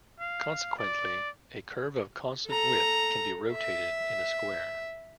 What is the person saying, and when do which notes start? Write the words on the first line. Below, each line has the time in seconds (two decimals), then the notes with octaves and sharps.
Consequently, a curve of constant width can be rotated in a square.
0.19 F5
0.78 D5
2.47 A4 A#5
3.52 E5